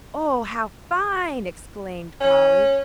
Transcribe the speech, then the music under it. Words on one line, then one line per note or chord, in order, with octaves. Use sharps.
"Oh, how fine!" exclaimed Polly.
C#4